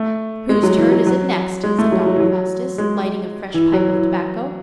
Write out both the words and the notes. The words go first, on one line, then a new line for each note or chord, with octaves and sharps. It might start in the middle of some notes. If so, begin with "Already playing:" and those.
"Whose turn is it next?" said Doctor Faustus, lighting a fresh pipe of tobacco.
Already playing: A3
G#3
F#3
E3
F#3
F#3
G#3
A3
F#3
F#3
E3
F#3
G#3
E3
F#3
E3